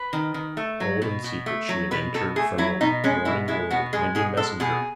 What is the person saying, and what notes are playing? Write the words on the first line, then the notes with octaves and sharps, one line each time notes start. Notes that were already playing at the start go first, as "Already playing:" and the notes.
Old and secret she had entered from a morning world, maybe a messenger.
Already playing: B4
D#3
D#3
A3
F#3
B2
B2
A3
F#3
B2 B4
B2 A4
A3 G#4
F#3 E4
B2 D#4
G#3 C#4
B2 E4
G#3 E4
B2 F#4
G#3 G#4
B2 G#4
G#3 A4
B2 G#4